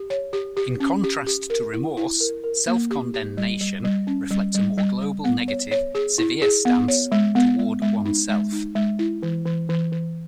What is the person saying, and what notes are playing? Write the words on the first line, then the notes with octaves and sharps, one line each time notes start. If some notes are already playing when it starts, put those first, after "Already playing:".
In contrast to remorse, self-condemnation reflects a more global, negative, severe stance toward oneself.
Already playing: G4
C#5
G4
G4
C#4
G4
G4
A#4
E4
E4
A#4
A#4
A#3
G4
G4
G3
G3
G3
C#4
G3
G3
G3
G3
B3
C#5
C#5
G#4
E4
G#4
B3
C#5
G#3
B3
G#3
G#3
D#4
G#3
D#4
G#3
E4
E3
E3
E3
E3